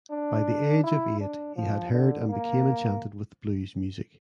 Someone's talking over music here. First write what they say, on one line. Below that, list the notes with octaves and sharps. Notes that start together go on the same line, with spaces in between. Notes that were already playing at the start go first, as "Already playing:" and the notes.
By the age of eight he had heard and became enchanted with blues music.
D4
E4
D4
F3
D3
A#3